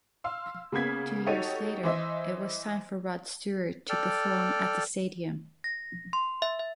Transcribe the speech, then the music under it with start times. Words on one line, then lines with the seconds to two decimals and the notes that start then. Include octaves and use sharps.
Two years later, it was time for Rod Stewart to perform at the stadium.
0.24 F5 C6 E6
0.72 C#3 A#3 B3 G#6 B6
1.26 D#4 F#4 G4 A4 C#5 D#7
1.83 E3 C5 D#5 E5
3.89 A4 D5 G5 F6
5.64 A#6
6.13 C6
6.42 E5
6.59 E5